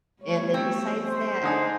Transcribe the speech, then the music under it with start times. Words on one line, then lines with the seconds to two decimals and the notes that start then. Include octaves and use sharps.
And then besides that,
0.22 G3 A3 B3 C#5
0.54 C4
1.08 C5
1.43 D3 D#4 G#4